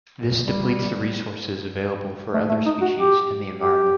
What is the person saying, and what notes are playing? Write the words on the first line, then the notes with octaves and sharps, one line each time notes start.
This depletes the resources available for other species in the environment.
G3
A3
A3
D#4
F#4
G4
G4